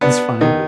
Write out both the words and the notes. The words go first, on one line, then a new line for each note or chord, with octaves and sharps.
It's funny.
B3 D4
D#3 D#4